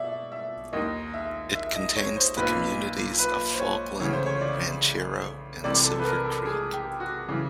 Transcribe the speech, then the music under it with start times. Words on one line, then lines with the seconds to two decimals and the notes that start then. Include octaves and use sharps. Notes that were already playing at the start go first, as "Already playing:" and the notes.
It contains the communities of Falkland, Ranchero, and Silver Creek.
Already playing: B2 D5 E5
0.32 E5
0.73 D#2 D#3 D#5
1.14 E5
1.55 E5
1.75 D#5
1.96 C#5
2.16 C5
2.36 B1 A#2 B4
3.18 B4
3.54 C5
3.59 C#5
4.00 D2 C#3 E3 C#5
4.13 C5
4.26 C#5
4.41 D5
5.64 C2 C3 E3 D5
5.84 A4
5.99 B4
6.05 A#4
6.25 A4
6.45 G#4
6.73 G4
7.00 F#4
7.29 C#3 E3